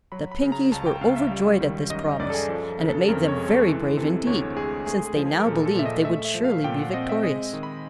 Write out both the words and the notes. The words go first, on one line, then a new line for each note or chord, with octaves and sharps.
The Pinkies were overjoyed at this promise and it made them very brave indeed, since they now believed they would surely be victorious.
F#3 B5
B5
C#3
A#5
C#2 A5
G5
C#2 F5
E5
G3
D#3
F#2 D#5
F#2 D5
A4
G#4
F3 A4
C#3
A4
F2 A#4
C#5
G#3
A4
E3 A4
C3 A4
D2 C#5
G#3 G#4
A3 G#4
G#4
F3
G#4
A#4
A#2 A4
A4
A#2 E5
D#5
A3 E5
E5
F3
F5
A#2 G5
F#5
C4 D#5
E5
G#3 D#5
D#3
B5